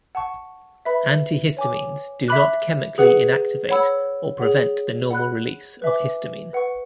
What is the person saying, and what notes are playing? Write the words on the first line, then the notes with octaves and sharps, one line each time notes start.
Antihistamines do not chemically inactivate or prevent the normal release of histamine.
F#5 A5 C#6
B4 E5 B5
C#5 G#5 D6
E5 B5 D6 F#6
G#4 B4 F#5
C#5 F#5 B5 E6
G#4 C#5 F#5
F#5 B5 F#6
B4 E5 G#5 D6
B4 F#5 C#6